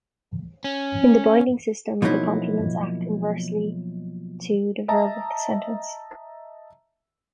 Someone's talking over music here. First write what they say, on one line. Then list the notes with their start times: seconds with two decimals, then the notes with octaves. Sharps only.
In the binding system, the complements act inversely to the verb of the sentence.
0.64 C#4
2.02 B2 F3 F#3 A#3 D#4 E4
4.88 D#5 E5 A5 A#5